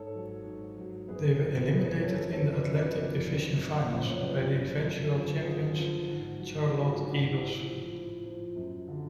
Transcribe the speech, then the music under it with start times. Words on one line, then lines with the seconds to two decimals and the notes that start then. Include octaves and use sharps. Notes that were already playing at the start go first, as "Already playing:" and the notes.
They were eliminated in the Atlantic Division Finals by the eventual champions, Charlotte Eagles.
Already playing: G#2 A4 C#5
0.15 F#3
0.46 G#2
0.77 F#3
1.08 F#2 G#4 B4
1.40 F3
1.71 F#2 G#4 B4
2.01 F3 A4 C#5
2.33 F2 A4 C#5
2.54 B4 D5
2.64 C#3 F#3
2.75 B4 D5
2.96 F2
3.27 C#3 F#3
3.58 F#2
3.89 C#3 F3
4.00 D5
4.10 C#5
4.20 F#2 G#4 B4
4.51 C#3 F3
4.82 F#2
5.13 D3 F3
5.45 F#2 F4 G#4
5.76 D3 F3
6.07 G#2
6.38 F#3
6.69 G#2 G#4
6.79 F#4
6.89 F4
6.98 F#3 D4 F#4
7.32 A2
7.63 F3
7.94 A2
8.25 F3
8.56 F#2
8.88 D3 F#3